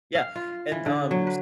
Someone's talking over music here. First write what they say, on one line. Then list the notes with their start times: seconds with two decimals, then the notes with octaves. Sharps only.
Yeah, and, um, s
0.15 F5
0.36 F4
0.72 E3
0.86 D3
1.11 F#3
1.27 B4